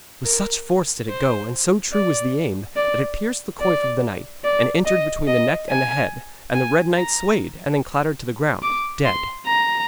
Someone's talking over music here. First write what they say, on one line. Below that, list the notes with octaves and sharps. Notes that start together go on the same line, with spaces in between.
With such force did it go, and so true was the aim, that it pierced the coif of the knight, and entered between the neck and the head, and the red knight swayed and then clattered to the ground, dead.
A#4
C5
D5
D5
D5
D5
D#5
D#5
G#5
G#5
A#5
D6
C6
A#5